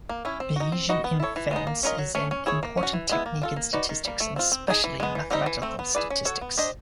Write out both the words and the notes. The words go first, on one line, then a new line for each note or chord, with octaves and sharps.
Bayesian inference is an important technique in statistics, and especially in mathematical statistics.
A#3
C#4 E4
C4
D#4 F#4
C4
D#4 F#4 B4 D#5
B3
E4 A4 C#5
E3
G#3 B3 D#4
A#3
C#4 F4 A#4 D#5
F#3
A3 C#4
C#4
E4 G#4 C#5
A#3
C#4
F#4
E3
G#3 B3 E4
A#3
D4 F4 A4
A#3
D#4 F#4 B4 D5
D#3
G3 A#3
A3
C4 F4
C4
D#4 G#4
E3
G#3 B3
E3
G3 C4 D#4 G4
E3
A3 C4
B3
E4 G#4 B4 D5
C#4
F#4 A4 C#5
B3
D4 G4 C5 D#5